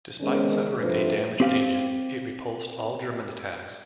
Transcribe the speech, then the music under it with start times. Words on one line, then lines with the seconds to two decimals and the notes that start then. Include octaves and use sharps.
Despite suffering a damaged engine, it repulsed all German attacks.
0.20 C3 D#3 G#3 B3 C#4
0.78 G2 C3 F3 A3 D4 B4
1.40 C4 G4 F5